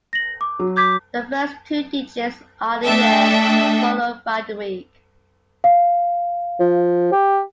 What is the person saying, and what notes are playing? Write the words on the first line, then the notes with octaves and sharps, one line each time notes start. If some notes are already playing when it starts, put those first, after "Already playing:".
The first two digits are the year, followed by the week.
A#6 F#7
D6
F#3
D6 G6 G#6 B6
A3 D4 A4 D#5 E5 G5
F5
F3
G4